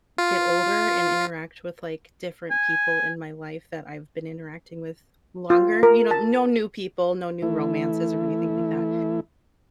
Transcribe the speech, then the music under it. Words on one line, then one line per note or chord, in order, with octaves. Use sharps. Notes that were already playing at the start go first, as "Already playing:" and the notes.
get older and interact with, like, different people in my life that I've been interacting with longer, you know no new people, no new romances or anything like that.
F4
G#5
F4
A#4
A5
E3 A3 E4